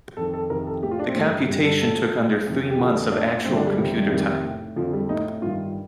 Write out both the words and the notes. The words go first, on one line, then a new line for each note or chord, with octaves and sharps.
The computation took under three months of actual computer time.
F2 D#3 A4
A4
F2 C3 D#3 A#4
A4
A2 G4
F4
D4
C4
G2 D3 A3
G2 D3 G4
A4
A2 A4
A2
F2 C3 D#3
G4
F2 D3 F4
A2 D4
G2 D3 C4
D4
G3
F2 C3 D#3
G3
F2 C3 D#3
A2
F2 D3 F3
G3
A2 D#4
G2 D#3 F4